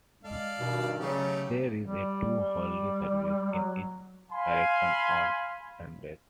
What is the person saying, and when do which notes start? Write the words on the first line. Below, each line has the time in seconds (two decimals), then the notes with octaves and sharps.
There is a two hourly service in each direction on Sundays.
0.24 G#3 A4 D5 F5
0.59 G2 B2 D#3 D#4
0.99 C#3 F#3 A3 D#4 G4
1.85 G3
2.35 G3
3.52 F#3
4.31 F5 G#5 B5 C6